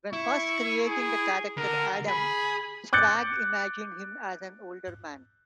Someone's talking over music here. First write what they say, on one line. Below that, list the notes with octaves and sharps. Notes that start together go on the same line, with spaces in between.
When first creating the character Adam, Schrag imagined him as an older man.
E4 C#6
G#4
D3 A#4
G#4 B5
D6 F#6 G6 A6 C#7